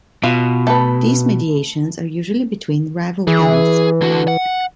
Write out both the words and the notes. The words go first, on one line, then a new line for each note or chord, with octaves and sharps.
These mediations are usually between rival gangs.
B2 F4
A3 B4
E3 G#4
D3 F#4
F#5